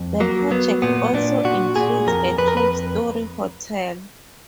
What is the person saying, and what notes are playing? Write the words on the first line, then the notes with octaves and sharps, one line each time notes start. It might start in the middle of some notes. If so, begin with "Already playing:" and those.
The project also includes a twelve-story hotel.
Already playing: F2
F#3 A#3
F#3 B3
A#2 B3
A#2 D4
A#2 F#4
A#2 G#4
F2 A#4
F2 B4
A#4
B4